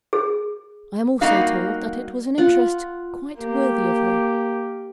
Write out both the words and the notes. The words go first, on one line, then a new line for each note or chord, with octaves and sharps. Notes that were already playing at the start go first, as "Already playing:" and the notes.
I am also told that it was an interest quite worthy of her.
G#4
G3 A#3 D#4 F#4 F5
F4 F#5
A#3 G4